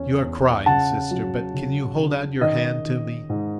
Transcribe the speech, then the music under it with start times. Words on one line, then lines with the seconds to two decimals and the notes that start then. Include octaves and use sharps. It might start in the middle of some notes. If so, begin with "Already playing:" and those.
"You are crying, sister, but can you hold out your hand to me?"
Already playing: E2 C#4
0.23 E2
0.66 C#3 F#5 A5
1.11 F#3
1.54 C#3
1.98 C#3
2.41 D#3 D#5
2.85 D#3
3.29 G#2